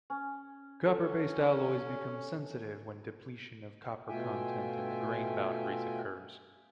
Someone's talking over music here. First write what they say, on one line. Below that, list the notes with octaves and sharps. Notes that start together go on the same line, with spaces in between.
Copper-based alloys become sensitive when depletion of copper content in the grain boundaries occurs.
C#4
C#4 A4
B2 A3 F4 E5 G5 G#5